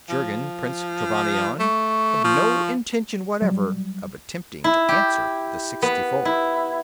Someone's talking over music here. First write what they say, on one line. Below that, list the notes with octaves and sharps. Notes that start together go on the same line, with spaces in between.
Jurgen, Prince Trevannion, had no intention whatever of attempting to answer the sixtifor.
F3
A3 C#6
F3
F#3 G3
E4
G4
B3
E4